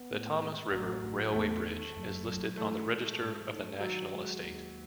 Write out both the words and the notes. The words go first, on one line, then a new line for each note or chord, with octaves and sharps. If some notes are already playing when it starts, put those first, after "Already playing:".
The Thomson River Railway Bridge is listed on the Register of the National Estate.
Already playing: B3
A2
G#3
A1 F#3
A1
E2 A3
D#3
F#1
F#3
E3 A3
G#3
G#2
D#4
D#3 F#3
G#3
D#2